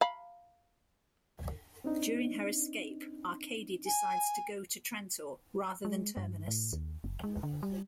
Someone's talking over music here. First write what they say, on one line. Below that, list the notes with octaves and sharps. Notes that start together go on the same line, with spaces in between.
During her escape, Arkady decides to go to Trantor rather than Terminus.
F5 B5
C4 D4 D#4
G#5
G#3
G2
A2
D#2
F#1
G#3
D3
G3